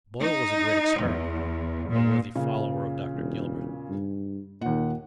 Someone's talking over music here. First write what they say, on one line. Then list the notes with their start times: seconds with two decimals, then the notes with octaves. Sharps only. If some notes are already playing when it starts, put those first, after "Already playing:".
Boyle was a great experimenter, a worthy follower of Dr. Gilbert.
0.22 D#4
1.02 E2
1.89 A#2
2.36 A#2 C#3
3.14 E1
3.90 G2
4.61 D#2 A#2 F#5